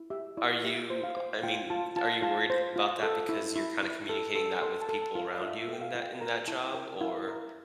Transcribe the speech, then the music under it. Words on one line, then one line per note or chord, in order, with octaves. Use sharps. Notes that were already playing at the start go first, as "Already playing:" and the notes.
Are you I mean, are you worried about that because you're kinda communicating that with people around you in that in that job, or,
Already playing: E4
G4 E5
E4 D5
G4 E5
C5
F5
C5
F4 G5
F4 A5
F4 A5
F4 A5
C5
F4
A4
E4
E4
E4
A4
A4
A4 C6
A5
A4
A5
F4
F5
D5
F4 E5
E5
A4
G5
F5
F4
G5
A#4 A#5
E4 A5
A#4 G5
E4 F5
A#4